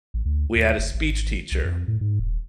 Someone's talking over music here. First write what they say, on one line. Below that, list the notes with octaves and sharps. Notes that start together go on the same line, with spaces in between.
we had a speech teacher,
A1
D2
D#2
F#1
G#1
C2
F2
A2
G#2
D#1